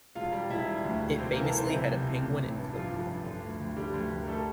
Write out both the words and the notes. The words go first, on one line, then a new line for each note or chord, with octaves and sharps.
It famously had a penguin enclosure.
E1 F4 F5
G3
E1 E4 E5
G3
D2
E1
C3 C4 C5
E3 A#3 A#4
A4 A5
E3 C4 C5
C2 E4
C2
C3
A1
A1
G2
F3 F4
F3
G2
D3
D2
D2
D3 G3 G4
D2
D2
A#4
G3 A3 A4